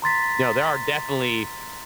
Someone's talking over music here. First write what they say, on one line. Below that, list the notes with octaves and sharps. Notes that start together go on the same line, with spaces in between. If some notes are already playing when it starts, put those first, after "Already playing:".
you know, there are definitely
A#5 C6 A6 B6